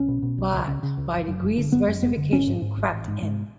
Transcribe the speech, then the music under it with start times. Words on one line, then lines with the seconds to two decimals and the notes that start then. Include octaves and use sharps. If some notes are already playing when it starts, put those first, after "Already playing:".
But by degrees versification crept in.
Already playing: B1 C#4
0.08 B2
0.22 B2
0.38 B1
0.53 C#2
0.68 C#3
0.83 C#3
0.97 C#2
1.13 F#1
1.28 F#2
1.43 F#1
1.58 D3
1.72 F#1 B3
1.88 F#2
2.02 F#1 B3
2.17 D3
2.32 G#1 C#4
2.47 G#2
2.62 G#2
2.77 G#1
2.92 A1
3.08 G#2
3.22 G#2